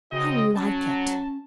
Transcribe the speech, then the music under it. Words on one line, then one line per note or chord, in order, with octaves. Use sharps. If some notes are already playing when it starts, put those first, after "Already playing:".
I like it.
C#3 C4 D#4 F#4 D#5
F#3 C#4 A5